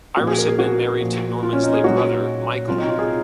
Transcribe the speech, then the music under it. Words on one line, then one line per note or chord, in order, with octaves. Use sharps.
Iris had been married to Norman's late brother, Michael.
A#2 F3 F#4
G#4
A#4
G#4
F#4
A#2 F3
F4
C#4
D#4
G#4
A#2 F#3 F#4
C3 F#3 F4
D#4
F4
G#4